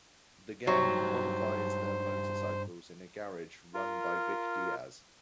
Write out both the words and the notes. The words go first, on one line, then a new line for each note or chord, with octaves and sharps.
The gang modifies their motorcycles in a garage run by Vic Diaz.
G2 F#3 D#4 G4 C5
F4 A#4